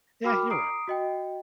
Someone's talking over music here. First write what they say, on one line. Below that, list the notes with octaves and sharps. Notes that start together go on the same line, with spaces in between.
yeah, you're right.
F#4 A#4 G5 B5 D6 F6
A#5 D#6 C7 D7
F#4 D#5 G5